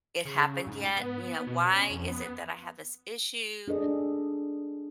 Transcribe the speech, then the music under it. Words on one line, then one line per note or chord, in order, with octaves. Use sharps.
it happened yet? You know, why is it that I have this issue?"
C#3
G#2
B3
B2
C#4
F2
B3
D4 G#4 A4 D#5